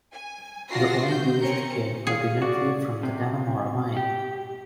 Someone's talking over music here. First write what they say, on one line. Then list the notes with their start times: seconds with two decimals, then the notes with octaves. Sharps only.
The ore used came ultimately from the Dannemora mine.
0.12 G#5
0.70 D4 F4 F#4 A#6 C7
1.08 G6
1.42 C4 C#4 A#4 C#7
2.07 G#4 F5
2.42 F#4 D5
3.03 C3
3.97 G4